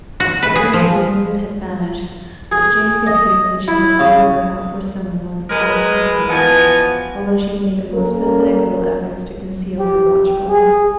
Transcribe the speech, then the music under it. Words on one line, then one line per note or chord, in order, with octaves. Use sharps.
Her irritable mood had vanished, but Jane could see that she was on the lookout for some one all the time, although she made the most pathetic little efforts to conceal her watchfulness.
F#4
B4
G#4
F3
G#4
D#5
E4
C#3
G#3 A#4 B4
E3 F3 B3 F#4 D#5 G#5
A#3 C#4 A4 A#4
G4
G#4